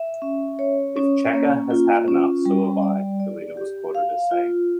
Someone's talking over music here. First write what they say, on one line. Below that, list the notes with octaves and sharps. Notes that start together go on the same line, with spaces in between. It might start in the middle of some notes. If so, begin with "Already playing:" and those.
"If Checcha has had enough, so have I," Deledda was quoted as saying.
Already playing: E5
C#4
C#5
C#4
A#3
F4
C#4
G3
D5
D5
G4
F5
F4